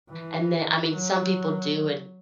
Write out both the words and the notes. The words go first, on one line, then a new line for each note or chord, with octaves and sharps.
and then I mean, some people do and,
E3
F#3